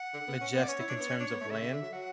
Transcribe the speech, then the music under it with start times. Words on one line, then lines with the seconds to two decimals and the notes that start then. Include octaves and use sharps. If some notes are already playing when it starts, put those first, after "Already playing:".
majestic in terms of land?
Already playing: F#5
0.13 D3
0.27 B3
0.41 C#4
0.54 B3
0.62 D5
0.68 C#4 C#5
0.79 E4
0.89 D4
1.00 B3
1.10 C#4
1.20 D4
1.31 B3
1.41 A3
1.51 C#3 E5
1.61 D3
1.72 D3
1.82 F#3
1.92 F#3 F#5